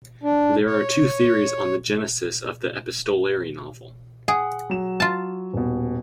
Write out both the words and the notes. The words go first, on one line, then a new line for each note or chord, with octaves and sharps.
There are two theories on the genesis of the epistolary novel.
D4
C#5
G#4 F#5
F#3 E7
F4 A5
D#1 B2